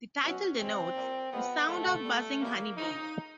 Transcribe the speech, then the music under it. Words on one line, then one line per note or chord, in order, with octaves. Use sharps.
The title denotes the sound of buzzing honey bees.
B2 F#3 C#4
C3 D#3 G3 C4
A#2 G3
A2 F3 G#3 B3
A2 F3 G#3 A3
A#2 G3
C#3 E3 G3 A#3
C#3 F3 G#3 D#4